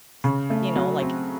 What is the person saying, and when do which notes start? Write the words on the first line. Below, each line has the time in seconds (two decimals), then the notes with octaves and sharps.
t you know, like
0.24 C#3
0.50 A3
0.76 F#3
1.02 C4